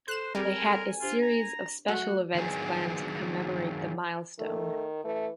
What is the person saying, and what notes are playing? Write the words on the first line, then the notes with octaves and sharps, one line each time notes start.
They had a series of special events planned to commemorate the milestone.
A4 C5 F#6 E7
G3 C4 G#4 A#4 G#5
G4 A4
D4 F4 G4 C5
A#5
F#3 A3 F#4 F#5 E6
D#3 F#3 B3 G#4
D#3 A3
E3 A3